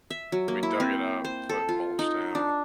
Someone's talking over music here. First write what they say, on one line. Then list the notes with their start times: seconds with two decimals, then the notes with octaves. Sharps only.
we dug it up, put mulch down,
0.10 E5
0.32 F#3
0.48 A#3
0.63 E4
0.80 C4
1.25 C5
1.49 A4
1.69 F4
1.99 D#4
2.35 D4